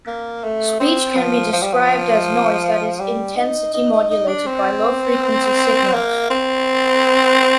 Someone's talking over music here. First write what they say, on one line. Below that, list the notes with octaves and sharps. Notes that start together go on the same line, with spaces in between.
Speech can be described as noise that is intensity-modulated by low-frequency signals.
A#3
A3
C4
F3
F3
G3
F3
G3
D#4
D#4
D#4
D#4
D4
C4
A#3
C4